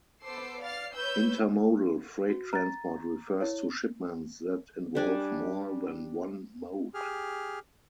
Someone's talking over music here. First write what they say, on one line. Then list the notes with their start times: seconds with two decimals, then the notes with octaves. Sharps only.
Intermodal freight transport refers to shipments that involve more than one mode.
0.22 B3 A4 C5 D6 E6 C7
0.61 D5 F5 F6 A6 C7
0.95 B4 C#5 E6 G6
2.30 F#4
2.53 A#5 A6
3.41 E4 C#5
4.95 G3 D4 G#5
6.94 G4 G#4 F6